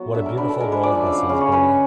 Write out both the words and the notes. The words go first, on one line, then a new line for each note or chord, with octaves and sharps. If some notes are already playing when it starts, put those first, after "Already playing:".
What a beautiful world this is, Bertie.
Already playing: F#3 B3
D3 E5
A#4
D3 B4
A4
G#3 A#4
B4
F3 D5
E5
C#3 F5
F#5
C#3 F5
C#5
C#4 B4